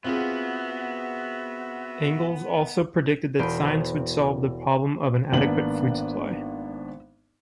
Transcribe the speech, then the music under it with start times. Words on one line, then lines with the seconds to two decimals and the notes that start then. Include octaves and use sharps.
Engels also predicted that science would solve the problem of an adequate food supply.
0.04 B3 C4 F4 F#4 G#4 E5
3.39 E1 C5 B5 F6 D7 D#7
5.32 G#1 A#3 B3 D4 F#7